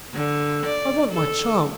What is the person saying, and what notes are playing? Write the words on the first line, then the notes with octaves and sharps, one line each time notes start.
I want my child!
D3
D5
A4